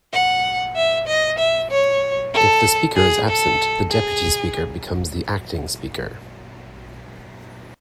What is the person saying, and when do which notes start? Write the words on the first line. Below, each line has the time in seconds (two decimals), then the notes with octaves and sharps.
If the Speaker is absent the Deputy Speaker becomes the Acting Speaker.
0.13 F#5
0.76 E5
1.08 D#5
1.39 E5
1.71 C#5
2.34 A4
2.96 G#4
3.28 A4
3.91 G#4